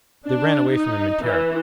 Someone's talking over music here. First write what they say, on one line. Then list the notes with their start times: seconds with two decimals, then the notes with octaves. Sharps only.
They ran away from him in terror.
0.24 D4
0.71 D#4
1.24 E3